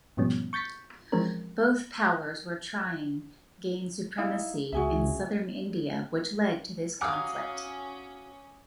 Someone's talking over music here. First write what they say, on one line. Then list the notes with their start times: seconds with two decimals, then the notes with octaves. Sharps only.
Both powers were trying gain supremacy in Southern India which led to this conflict.
0.17 G#2 B2 F3 G3 B3 C#4
0.53 C#6 G6 A6 B6 C#7
1.12 E3 F3 G#3 C4 C#4 A#4
4.18 D#4 E4 F5
4.72 C#2 F#4 G#4 E5
7.01 C#4 F#4 F5 G#5 A#5 D6 D#6